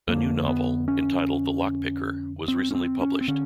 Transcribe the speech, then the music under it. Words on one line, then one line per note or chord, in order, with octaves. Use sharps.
A new novel, entitled "The Lockpicker", was recently published.
F2 D3 A#3
B3
C#4
C4
C#4
C4
C#4
C4
D3 C#4